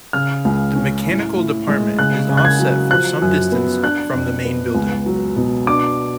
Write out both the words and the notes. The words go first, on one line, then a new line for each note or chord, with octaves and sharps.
The mechanical department is offset for some distance from the main building.
C#3 F6
C#2
C#4
A2
A2
G#3
C#3 F#6
C#3
F#6
G#6
F#3
F3 F#6
F#2
B3
D4 F#6
F2
B3
C#2
F#3
B2
D4 D6